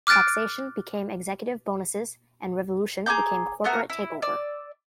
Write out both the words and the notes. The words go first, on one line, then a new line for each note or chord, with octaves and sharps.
Taxation became Executive Bonuses, and Revolution became Corporate Takeover.
D6 F6 F#6 A6 D7
G#4 A#5 D6 G6
A3 B3 F#4 A#4
E4
D5 E6